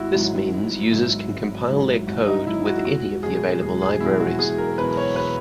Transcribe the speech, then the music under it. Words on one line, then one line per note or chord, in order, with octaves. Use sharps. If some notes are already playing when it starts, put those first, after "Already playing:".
This means users can compile their code with any of the available libraries.
Already playing: G#1 E4 F#4
G#2 F#3
G#1
G#2 F#3
G#1
G#2 F#3
G#1 F#4
D#4
G#2 F#3 E4
F#4
E4
E1 F#4
E2 B2 F#3 G#4
E1 G#4
G#4
E2 B2 F#3 E4
F#4
E1 G#4
A#4
E2 B2 F#3 B4
C#5
B4